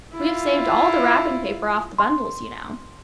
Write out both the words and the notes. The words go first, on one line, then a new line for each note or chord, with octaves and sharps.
"We have saved all the wrapping paper off the bundles, you know."
E4 F4
C6